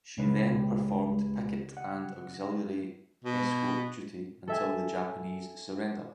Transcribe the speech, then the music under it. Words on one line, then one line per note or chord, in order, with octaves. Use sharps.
She then performed picket and auxiliary escort duty until the Japanese surrender.
C#2 C#3 G#3 B4
G4
D#5 F#5
A#6
B2
A4 E5 G#5